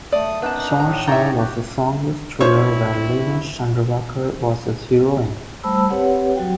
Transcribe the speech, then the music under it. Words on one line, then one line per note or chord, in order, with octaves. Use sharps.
'Chor Chor' was a song-less thriller where Leena Chandavarkar was his heroine.
A3 D5 D#6
F#2 B3 D4 D#4 A5
A2 A#5
D#4 C#5 D5 E5 A#5
F#4 G4
C4 D4 E4 C5 C#5 C#6
G3 A3 C5 A5 B5 E6
C4 G4 B4 C#5 F#5
F#3 F#4 G5